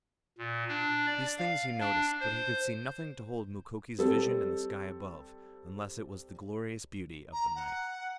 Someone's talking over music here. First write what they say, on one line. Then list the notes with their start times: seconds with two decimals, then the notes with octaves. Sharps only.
These things he noticed, but he could see nothing to hold Mukoki's vision in the sky above unless it was the glorious beauty of the night.
0.38 A#2
0.69 D4
1.06 D5
1.38 F5
1.80 D4
2.20 C5
3.99 G3 C4 A4
7.33 A#5
7.56 F#5